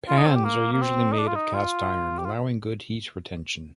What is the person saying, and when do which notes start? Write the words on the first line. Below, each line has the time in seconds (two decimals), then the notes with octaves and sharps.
Pans are usually made of cast iron, allowing good heat retention.
0.08 F4
0.18 D#4
0.26 C4
0.35 G4
0.45 A#3
0.72 A#3
0.82 C4
1.12 D#4
1.18 D4
1.27 F4
1.35 D#4
1.54 F4
2.18 G4
2.25 F4